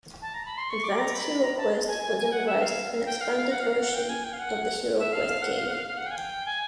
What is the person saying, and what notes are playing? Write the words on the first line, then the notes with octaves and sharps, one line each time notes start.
"Advanced HeroQuest" was a revised and expanded version of the HeroQuest game.
A5
A#5
B5
C6
C#6
D6
A#5
B5
A#5
A5
G#5
G#5
G#5
F#5
E5
F5
G5
F5
F5
F#5
F5
F5
F#5
G5
G#5
G5
F5
F#5
E5
F5
F5
F#5
F5
F#5
F5
F5
F#5
G5
G#5
G5
G#5